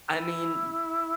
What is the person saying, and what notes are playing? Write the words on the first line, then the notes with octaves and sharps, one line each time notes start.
I mean,
E4